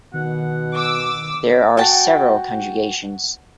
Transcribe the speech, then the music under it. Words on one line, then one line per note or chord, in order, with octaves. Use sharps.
There are several conjugations.
B2 D#3 F#5
D6 E6
F#4 F#5 G5 A5